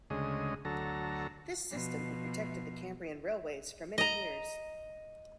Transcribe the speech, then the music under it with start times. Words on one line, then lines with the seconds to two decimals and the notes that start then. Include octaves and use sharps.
This system had protected the Cambrian Railways for many years.
0.10 D2 C#3 G#3 D#5
0.65 D2 F#3 A4 A#5
1.71 B2 F3
3.98 D#5 A#5